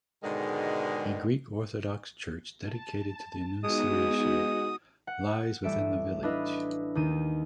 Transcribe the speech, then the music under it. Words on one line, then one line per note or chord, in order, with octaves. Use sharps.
A Greek Orthodox Church dedicated to the Annunciation lies within the village.
G#2 B2 D3 D#3 G#3
A5
G#3 B3 D#4 F#4 D#6
F#5
A1 G3 A4 E5 D7 E7
D4 E4 B4 D#5 F5
D#2 D#3 D#7